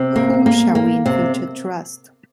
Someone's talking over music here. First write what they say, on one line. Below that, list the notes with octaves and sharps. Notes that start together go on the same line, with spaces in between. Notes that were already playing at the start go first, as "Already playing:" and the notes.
Whom shall we in future trust?
Already playing: C3
A#3
A#3
A#3
C3